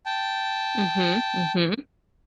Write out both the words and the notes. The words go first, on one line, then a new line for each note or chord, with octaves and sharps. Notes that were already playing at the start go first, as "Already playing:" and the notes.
Mhm, mhm.
G5 A5